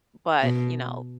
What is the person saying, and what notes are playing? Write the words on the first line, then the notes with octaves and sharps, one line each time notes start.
but, you know
B2